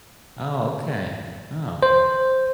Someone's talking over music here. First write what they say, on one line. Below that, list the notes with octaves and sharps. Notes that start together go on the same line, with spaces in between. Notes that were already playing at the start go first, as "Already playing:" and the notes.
Oh, okay. Oh,
C5